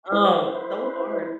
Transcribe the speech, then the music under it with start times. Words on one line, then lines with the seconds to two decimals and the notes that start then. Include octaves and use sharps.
Oh, so hard.
0.12 E4 B4 C5